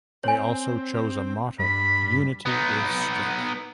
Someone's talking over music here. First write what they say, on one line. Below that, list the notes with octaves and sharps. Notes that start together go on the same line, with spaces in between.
They also chose a motto: unity is strength.
C4 C#5 G#5
G2 B5
B3 D#4